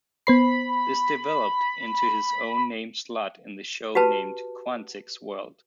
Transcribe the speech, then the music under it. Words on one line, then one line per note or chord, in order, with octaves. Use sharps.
This developed into his own named slot in the show, named "Quantick's World".
B3 C5 B5 C7
F#4 G4 B4 A5